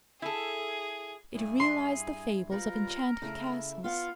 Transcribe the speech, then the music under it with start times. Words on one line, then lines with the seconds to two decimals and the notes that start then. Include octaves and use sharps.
It realized the fables of enchanted castles.
0.22 E4 G#4 A4
1.35 G2 E4 G#4
1.60 C6
2.52 G3 F4 A#4 B4
3.22 C#3 A3 E4
3.84 B3 F4 F5